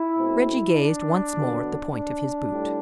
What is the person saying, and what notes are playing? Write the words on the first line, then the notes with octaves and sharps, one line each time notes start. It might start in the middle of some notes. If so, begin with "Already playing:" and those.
Reggie gazed once more at the point of his boot.
Already playing: E4
B2 A3 C4
D4
D3 F#3 B3
D4
A2 G3